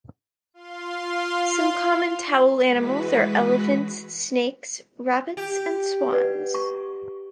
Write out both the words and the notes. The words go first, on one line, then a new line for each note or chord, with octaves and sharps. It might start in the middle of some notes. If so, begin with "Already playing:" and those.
Some common towel animals are elephants, snakes, rabbits and swans.
F4 F5 C6
E3 G#3 F#4 B4 B6
G4
B4 D5 F#5
C#6